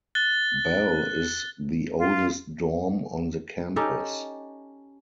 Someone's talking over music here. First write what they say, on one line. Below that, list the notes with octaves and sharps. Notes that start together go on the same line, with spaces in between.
Belle is the oldest dorm on the campus.
F#6 A6 G7
F4
C#4 D#4 G4 A4